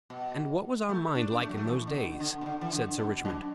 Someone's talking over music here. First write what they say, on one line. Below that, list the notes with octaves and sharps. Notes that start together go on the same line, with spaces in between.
"And what was our Mind like in those days?" said Sir Richmond.
B2
A3
D4
A3
F#3
A3
E3
D3
B2
D3
B2
D3
E3
D3
B2
F#2